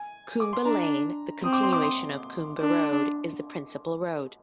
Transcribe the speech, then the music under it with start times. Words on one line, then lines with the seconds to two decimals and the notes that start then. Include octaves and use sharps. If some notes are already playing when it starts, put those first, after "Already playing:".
Coombe Lane, the continuation of Coombe Road, is the principal road.
Already playing: G#5
0.40 D6
0.53 C6
0.65 D4 A#5
1.43 C4 D#6
1.53 D6
1.63 C6
1.73 D6
1.83 C6
2.61 D4